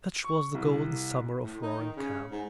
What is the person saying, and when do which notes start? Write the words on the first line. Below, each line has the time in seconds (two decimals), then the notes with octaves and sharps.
Such was the golden summer of Roaring Camp.
0.24 C#6
0.55 C2
1.43 A2
1.62 D#4
1.79 D#3
1.96 C#3
2.31 G#2